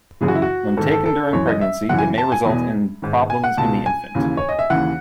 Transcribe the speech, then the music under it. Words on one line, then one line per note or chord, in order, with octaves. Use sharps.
When taken during pregnancy it may result in problems in the infant.
F#2 C#3 E3 G#4
F#4
E4
F#4
G#2 D#3 A4
A4
A4
F#2 E3 C#5
D#5
E5
F#2 C#3 E3 F#5
G#5
A5
G#5
E2 B2
G#2 D#3
G#5
F#5
C#2 B2 A5
G#5
D#2 C#3 E3
C#5
D#5
E5
D#2 C#3 E3 F#5